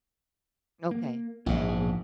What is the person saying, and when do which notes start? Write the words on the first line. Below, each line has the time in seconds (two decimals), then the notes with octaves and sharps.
Okay, yeah.
0.91 A#3
1.46 A#1 G#2 E3 G#3
1.69 B2 E3 G#4